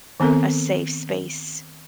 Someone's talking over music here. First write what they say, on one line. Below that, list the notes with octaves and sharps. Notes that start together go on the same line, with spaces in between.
a safe space
D#3 B3 C4 A4 A#4